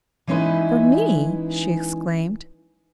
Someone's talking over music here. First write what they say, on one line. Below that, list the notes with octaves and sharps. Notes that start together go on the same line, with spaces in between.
"For me!" she exclaimed.
E3 G#3 C#4 D#4 E4 B4